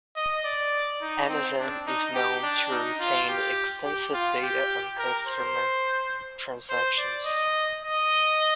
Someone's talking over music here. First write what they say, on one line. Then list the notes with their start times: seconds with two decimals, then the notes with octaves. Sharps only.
Amazon is known to retain extensive data on customer transactions.
0.16 D#5
0.45 D5
1.01 D#4
1.29 C4
1.58 D4
1.87 D#4
2.15 G4
2.43 D4
2.72 D#4
3.00 F4
3.29 G4
3.85 G4
4.14 F4
4.43 G4
4.99 A#4
5.27 C5
6.70 C5
6.98 D5
7.26 D#5
7.83 D#5